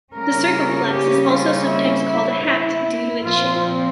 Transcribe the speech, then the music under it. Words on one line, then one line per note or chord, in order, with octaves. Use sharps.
The circumflex is also sometimes called a hat due to its shape.
C#3 G3 A#3 C#4 A#4
G4
F4
E4
E4
E4
A#2 F3 C4 F4